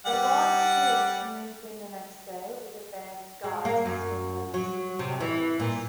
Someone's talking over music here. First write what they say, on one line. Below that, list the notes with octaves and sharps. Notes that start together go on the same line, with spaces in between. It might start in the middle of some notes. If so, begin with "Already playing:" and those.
Burgoyne's troops moved in the next day, with advance guards pursuing the retreating Americans.
G3 F#5
G#3
A#3
F#2
F#3
C3
E3
A#2